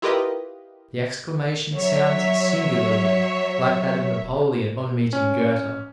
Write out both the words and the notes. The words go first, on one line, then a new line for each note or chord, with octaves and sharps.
The exclamation sounds singularly like that of Napoleon on meeting Goethe.
E4 F4 G4 A#4 B4 D#5
F#3 C#5 E5
C#4